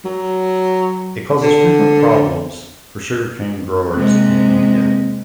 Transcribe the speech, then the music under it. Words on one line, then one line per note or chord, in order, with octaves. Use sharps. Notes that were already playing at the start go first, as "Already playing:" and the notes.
It causes frequent problems for sugarcane growers in India.
F#3
D3
C3 G#3 A#3 C4 F#6